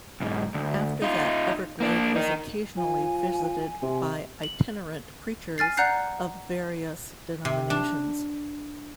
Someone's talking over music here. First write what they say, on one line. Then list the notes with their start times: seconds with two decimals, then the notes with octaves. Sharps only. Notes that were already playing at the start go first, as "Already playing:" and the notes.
After that Everglade was occasionally visited by itinerant preachers of various denominations.
0.20 B1 G#2
0.54 D2
1.02 D#4 F4
1.80 A#3 D4
2.16 D#4 A#4
2.77 F3 G#5
3.82 C3
4.43 F#7
5.58 G#5 F6 A6 C7
5.77 D5 F#5 A#5 F#6 G6 C7
7.45 C3
7.70 D4